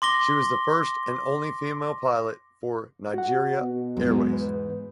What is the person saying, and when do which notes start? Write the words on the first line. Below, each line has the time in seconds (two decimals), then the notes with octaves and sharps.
She was the first and only female pilot for Nigeria Airways.
0.02 C6 D6 A#6 G7
3.14 F#4 F#5
3.59 B2
3.97 E2 G#2 F#3 G#3 B3
4.33 B4